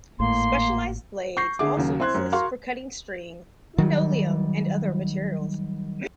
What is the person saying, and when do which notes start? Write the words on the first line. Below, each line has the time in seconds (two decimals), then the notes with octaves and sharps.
Specialized blades also exist for cutting string, linoleum, and other materials.
0.19 G#1 A2 A#3 C6
1.37 C#6 G6 A#6 C7
1.59 D3 G#4 E5 D6
1.77 D#2 C#3 F#3
2.00 C4 E4 C6 F#6 G#6
2.15 F#2
2.32 F#4 A#4 F5 C6 C#6
3.78 D#3 F#3 G3